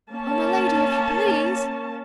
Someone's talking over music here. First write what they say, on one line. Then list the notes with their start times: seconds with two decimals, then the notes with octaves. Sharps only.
"Oh, my lady! if you please!"
0.11 A#3 C#4 A5